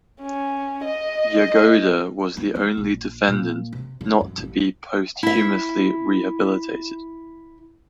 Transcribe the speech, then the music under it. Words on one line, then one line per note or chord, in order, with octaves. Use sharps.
Yagoda was the only defendant not to be posthumously rehabilitated.
C#4
D#5
B3
B3
A#1
A#2
C3
D3
F#2
A1
E4 E5